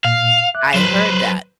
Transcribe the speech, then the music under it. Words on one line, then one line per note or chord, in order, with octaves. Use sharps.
I heard that,
A#2 F5
E5 D6 F#6
F#3 B4 C5